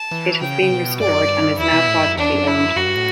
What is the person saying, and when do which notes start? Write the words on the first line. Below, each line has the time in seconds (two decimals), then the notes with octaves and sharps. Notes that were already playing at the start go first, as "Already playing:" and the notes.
It has been restored and is now privately owned.
Already playing: A5
0.11 E3
0.41 C#3 G5
0.62 C#3
0.71 B2
1.00 G2 D5
1.12 F#2
1.26 G2
1.58 E2 E4
1.73 B2
1.87 A2
1.98 G2
2.08 F#2
2.17 E2 D4
2.32 F#2
2.47 E4
2.76 F#2 F#4
2.86 G2
2.96 A2